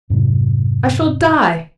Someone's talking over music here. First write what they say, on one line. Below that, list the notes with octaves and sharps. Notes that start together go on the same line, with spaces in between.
I shall die!
F2 G#2 C3 F#3